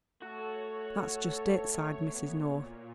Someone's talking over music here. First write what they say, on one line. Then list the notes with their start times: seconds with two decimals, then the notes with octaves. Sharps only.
"That's just it," sighed Mrs. North.
0.22 A3 F#4 A4 C#5
2.10 A#2 B3